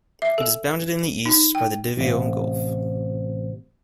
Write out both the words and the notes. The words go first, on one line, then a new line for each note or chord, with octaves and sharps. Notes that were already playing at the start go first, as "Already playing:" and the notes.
It is bounded in the east by the Davao Gulf.
E5
A4
D#4
G5
A1 C3